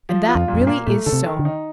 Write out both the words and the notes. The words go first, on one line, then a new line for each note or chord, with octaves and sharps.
And that really is so.
F3
F4
F2
A#2
F2
G2
A#3
A#2 A3
D3 A4
C3
D#3
D3
D#4